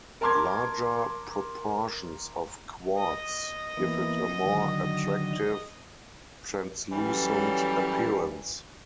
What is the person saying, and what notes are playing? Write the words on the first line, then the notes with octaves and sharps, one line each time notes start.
Larger proportions of quartz give it a more attractive, translucent appearance.
A#4 A5 A#5 C6 D6 G#6
D#5
E3 A#3 B3
D3 D#3 F#3
E3 F#3 G3 C#4 A4